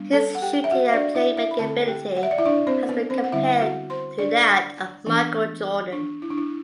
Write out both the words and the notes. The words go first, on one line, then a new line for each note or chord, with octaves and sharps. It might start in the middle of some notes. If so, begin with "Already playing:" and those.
His shooting and play making ability has been compared to that of Michael Jordan.
Already playing: G3 B3 D4
A4 A5
F#5
G4 G5
E5
F#4 F#5
E5
D4 D5
E4 E5
E4 E5
B5
D3 A3 C4 A4 A5
G4 G5
F#5
E5
D5
E4 E5
D4 D5
C4 C5
B3 B4
C4 C5
F#5
D3 G3 C4 E4 E5
F#4 F#5
C5 C6
D4 D5
E3 B3 D4
D4
E4
D4
E4